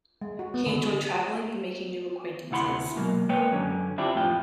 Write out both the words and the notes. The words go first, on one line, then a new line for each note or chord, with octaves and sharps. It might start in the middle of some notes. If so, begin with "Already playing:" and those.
He enjoyed traveling and making new acquaintances.
G#3
F#4
B3
D3
D3
D2 C3 E4 F#5 B5 C6
B2 F#3 G#3 A#3
G#3 A#3 A#4 B4 C#5 G5
F#2 B2 D3 F#3 C#4
C4 D4 E4 F4 G4
F2 A2 F4 G5